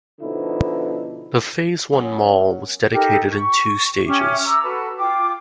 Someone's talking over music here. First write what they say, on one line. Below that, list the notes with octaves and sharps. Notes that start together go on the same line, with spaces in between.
The Phase One mall was dedicated in two stages.
B2 D3 F3 D#4 E4
F#3 A#3 B3 C#4
D#4 G4 A4 A#4
C#6
C#4 G4 E5 D6
A#5 D6 E6
F#4 A4 B4 A5
F4 G5 D6